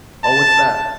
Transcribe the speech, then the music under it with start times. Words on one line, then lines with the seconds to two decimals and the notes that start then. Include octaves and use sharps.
Oh, what's that?
0.24 A5